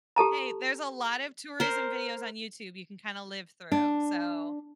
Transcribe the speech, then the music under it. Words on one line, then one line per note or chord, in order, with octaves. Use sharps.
Hey, there's a lot of tourism videos on YouTube you can kinda live through, so
G4 A4 A5 A#5
A#4 C5
D4